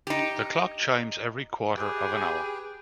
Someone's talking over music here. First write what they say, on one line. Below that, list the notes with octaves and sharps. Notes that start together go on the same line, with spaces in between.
The clock chimes every quarter of an hour.
D#4 G4
G4 G#4 B4 G5